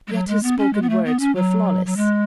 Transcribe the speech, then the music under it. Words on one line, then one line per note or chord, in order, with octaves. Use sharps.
Yet his spoken words were flawless.
G#3
F#3
G#3
B3
C#4
G#3
B3
A3
B3
C#4
F#3
F#3
G#3